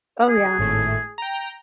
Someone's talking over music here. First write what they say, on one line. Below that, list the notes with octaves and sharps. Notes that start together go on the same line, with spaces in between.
Oh, yeah.
G#4
G#1 A2 A3
G5 A#5